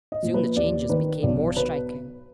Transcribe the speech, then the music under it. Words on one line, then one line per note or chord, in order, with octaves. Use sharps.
Soon the changes became more striking.
D#5
A#2 F3
B4
D#2 D5
D#3 B4
B1 D5
B2 B4